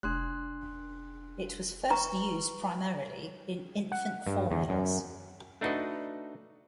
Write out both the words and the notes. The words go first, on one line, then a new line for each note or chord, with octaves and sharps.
It was first used primarily in infant formulas.
F1 D4 C6 F#6
B4 A#5 C#6
F#5
G2
E2
F#2
A3 D4 D#4 F#4 B4 D#5